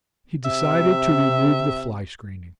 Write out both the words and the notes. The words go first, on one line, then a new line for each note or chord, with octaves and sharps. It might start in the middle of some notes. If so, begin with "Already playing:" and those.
He decided to remove the fly-screening.
C3 E5